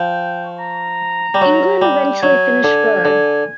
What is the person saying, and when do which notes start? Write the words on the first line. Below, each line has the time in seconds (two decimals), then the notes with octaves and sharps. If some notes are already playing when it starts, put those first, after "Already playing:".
England eventually finished third.
Already playing: F3 G5
0.59 A#5
1.34 G3
1.41 F#3
1.82 G3
2.23 F#3 G#5
2.64 D3
3.05 D3